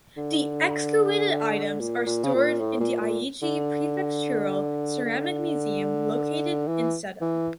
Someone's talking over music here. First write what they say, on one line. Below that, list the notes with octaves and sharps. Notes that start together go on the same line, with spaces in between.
The excavated items are stored in the Aichi Prefectural Ceramic Museum located in Seto.
D3
A#2
A#2
C#3
A#2
A2
A#2
A#2
D3
D3
E3
E3